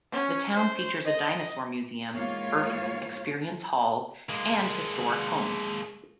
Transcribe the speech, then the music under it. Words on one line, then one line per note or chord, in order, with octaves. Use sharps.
The town features a dinosaur museum, Earth Experience Hall, and historic home.
C#4
C5
D#5
G#2 E3 A#3 F4 C#5 F5
G#3 A#3